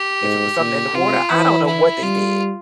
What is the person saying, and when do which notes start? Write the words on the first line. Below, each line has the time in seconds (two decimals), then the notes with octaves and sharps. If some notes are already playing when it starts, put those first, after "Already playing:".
if it was something in the water, I don't know what they did,
Already playing: G4
0.23 G#2
0.59 A#2
0.94 C3 F4
1.30 E3 E4
1.66 E4
2.02 G3 F4